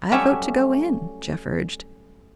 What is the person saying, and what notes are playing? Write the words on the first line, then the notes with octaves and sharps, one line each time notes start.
"I vote to go in," Jeff urged.
F#3 G3 A3 C#4 C#5 E5